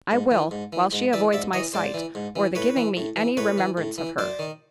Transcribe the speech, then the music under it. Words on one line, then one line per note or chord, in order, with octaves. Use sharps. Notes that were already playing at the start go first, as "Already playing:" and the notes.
I will, while she avoids my sight, or the giving me any remembrance of her.
G#2
E3
G#2
E3
G#2
E3 D5 E5
G#2 D5 E5
E3 C#5 D#5
G#2 C5 D5
E3
G#2
E3
A2 B4 C#5
E3
A2
E3
A2 B4 C#5
E3
A2
E3
F#2 C5 D5
D#3